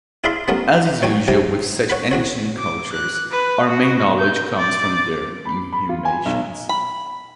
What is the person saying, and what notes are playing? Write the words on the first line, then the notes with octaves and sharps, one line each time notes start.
As is usual with such ancient cultures, our main knowledge comes from their inhumations.
E4 G#4 D5 F5 B5 C6
G3 A3 B3 C#4 A#4
B1 C#5 G5 G#5 D6
C#2 C3 G3 G#5
C#5 F#5 B5
E2 F#4 C#5
D6
F#6
B4
F#4
G6
D5
B5
B5
F4
G#5
B1
B5